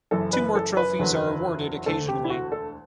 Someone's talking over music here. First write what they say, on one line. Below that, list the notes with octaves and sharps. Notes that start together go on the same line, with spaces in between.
Two more trophies are awarded occasionally.
F#1 F#2 E3 A4
B4
A4
B4
F#1 E2 D3 F#3
E1 D2 D3 A4
G4
E4
F#4
A4